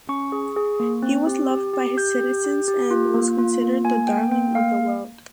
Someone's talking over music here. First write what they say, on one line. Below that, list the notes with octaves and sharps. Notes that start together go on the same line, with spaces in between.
He was loved by his citizens and was considered the darling of the world.
C#4 C#6
G#4
G#4
A#3
C4
G4
G4
G4
G4 G6
G4
G4
G4
F4
A#3
F4
A#3
A#3 G#5
A#3 G5
A#3 G5
A#3 F5